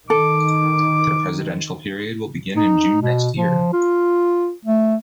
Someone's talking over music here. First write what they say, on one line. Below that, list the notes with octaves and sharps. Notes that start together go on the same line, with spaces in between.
Their presidential period will begin in June next year.
D#3 A4 D6
D#4
B2
F3
F4
A3